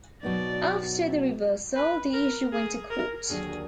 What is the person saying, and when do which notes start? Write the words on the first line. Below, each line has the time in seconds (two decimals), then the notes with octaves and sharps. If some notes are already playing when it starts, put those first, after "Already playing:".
After the reversal, the issue went to court.
0.23 B2 F#3 B3 D#4 D5
1.76 B4
2.14 A#4
2.53 G#4
2.91 A#4
3.29 D#2 D3 F#3 A#3 D4 G#4